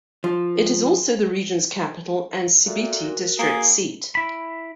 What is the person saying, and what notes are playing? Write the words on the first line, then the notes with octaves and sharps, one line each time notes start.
It is also the region's capital and Sibiti District seat.
F3
A#2 F#4 A4 E5
F#4 A#4
A#3 G#4
E4 B5